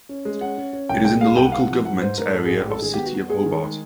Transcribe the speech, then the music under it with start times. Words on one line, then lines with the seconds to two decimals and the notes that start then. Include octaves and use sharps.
It is in the local government area of City of Hobart.
0.09 C#4
0.25 G#3
0.41 C#4 F#5
0.58 C#4
0.73 C#4
0.89 C2 G5
1.05 G#3 G5
1.21 G#3 F5
1.37 C2 G5
1.45 F#5
1.52 C3 F5
1.60 F#5
1.70 F3
1.85 G#2 F#5
2.02 G#2 C5
2.18 G#2 A#4
2.34 G#2 A4
2.46 G#4
2.50 A1
2.57 G4
2.65 G#3 A4
2.82 D#3 G#4
2.94 G4
2.98 B3
3.06 F#4
3.14 B3
3.30 G#3 G#4
3.46 D#3
3.63 G#3